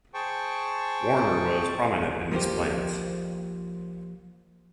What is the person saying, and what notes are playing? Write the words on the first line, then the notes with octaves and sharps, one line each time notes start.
Warner was prominent in these plans.
G#4 C5 G5 A5 C#6
F3 A#3 F4 G4 C5